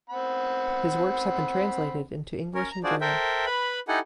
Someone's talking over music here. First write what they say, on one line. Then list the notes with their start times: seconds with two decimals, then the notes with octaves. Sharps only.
His works have been translated into English and German.
0.10 C4 F#5 B5
2.55 C#4 A#4 C#5
2.71 A#5
2.84 D4 F4 F#4 G#4 C5 D5
3.01 A4 A#4 C5 E5 G5
3.46 B4 B5
3.88 D#4 E4 G4 A4 F#5 G#5